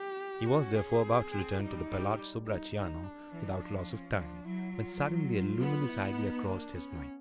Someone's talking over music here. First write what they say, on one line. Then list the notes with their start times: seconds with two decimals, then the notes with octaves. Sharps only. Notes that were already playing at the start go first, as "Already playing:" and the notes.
He was, therefore, about to return to the Palazzo Bracciano without loss of time, when suddenly a luminous idea crossed his mind.
Already playing: G4
0.46 C#4 F#4
0.76 G#4
1.03 C4
1.32 C4
1.60 G3 D#4
1.89 G3
2.46 D#4
2.75 D#4
3.03 D4
3.32 E3
3.60 F3
3.89 C#4
4.17 F3 D4
4.45 F#3 E4
4.74 F4
5.32 F4
5.60 B3
5.89 E4
6.17 D#4
6.44 A#3 D4
6.73 B3 C#4